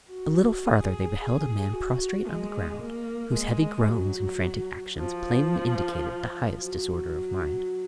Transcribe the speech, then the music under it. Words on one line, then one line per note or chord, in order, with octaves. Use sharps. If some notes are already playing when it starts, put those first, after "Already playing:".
A little farther they beheld a man prostrate on the ground, whose heavy groans and frantic actions plainly indicated the highest disorder of mind.
F#4
G#4
F#4
G#3
A#3
G#3
F#3
F3
F#3